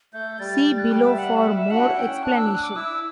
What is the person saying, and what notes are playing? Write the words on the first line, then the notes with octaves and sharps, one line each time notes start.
See below for more explanation.
A3 G6
G3 A6
A6
F#6
G5
E5
F#5
E5
E5
D4 F#4 F#5
E4
G5
C#4
D4 F#6
E6
F#6
D6
E4 E6